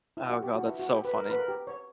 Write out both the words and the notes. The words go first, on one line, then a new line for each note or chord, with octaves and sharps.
Oh god. That's so funny,
E4
F#4
G4
F#4
E4
F#4
G4
B4
A#4
B4
A#4
G4
C#5